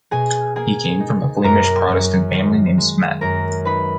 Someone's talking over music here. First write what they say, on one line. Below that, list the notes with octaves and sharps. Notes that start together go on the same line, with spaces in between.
He came from a Flemish Protestant family named Smet.
B2 G#4 G#5
A#3 G#4 G#5
D#4
F#2 A#4 A#5
F#2
D#3
G#3
F#2 A#4 A#5
D#4 B4 B5